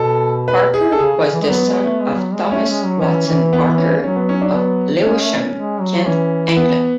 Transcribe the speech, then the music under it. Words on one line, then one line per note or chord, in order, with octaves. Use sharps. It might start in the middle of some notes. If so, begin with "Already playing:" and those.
Parker was the son of Thomas Watson Parker of Lewisham, Kent, England.
Already playing: B2 A4
B4
G#4
A4
C#3 G#4
C#3
E3
G#3
F#3 B3
G#3
A3
G#3
F#3
G#3
A3 C#4
G#3
F#3
E3 C#4
E3
B3
C#4
F#3 C#4
B3
C#4
D4
B3
G#3 C#4
A3
G#3
F#3
E3 C#4
B3